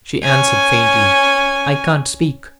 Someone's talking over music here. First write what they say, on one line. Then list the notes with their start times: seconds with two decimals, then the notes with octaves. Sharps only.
She answered faintly: "I can't speak!"
0.23 C#4 G#5